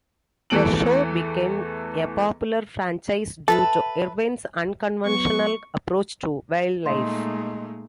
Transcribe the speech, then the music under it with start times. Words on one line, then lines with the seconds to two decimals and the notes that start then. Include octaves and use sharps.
The show became a popular franchise due to Irwin's unconventional approach to wildlife.
0.50 E2 E3 A3 A4 D7 F#7
3.48 A4 B4 E5 A5
5.05 F#3 B3 C#6
6.86 A#2 G#3 A3 D#4 D#5 C6